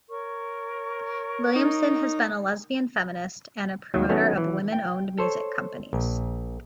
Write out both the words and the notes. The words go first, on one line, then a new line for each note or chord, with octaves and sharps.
Williamson has been a lesbian feminist and a promoter of women owned music companies.
A#4 C#5 C#6
D#4
D#2 D#3 F#3
D#3 F#3 A3 B3 C#4
E3
G5
A4 C5 C#5
A#1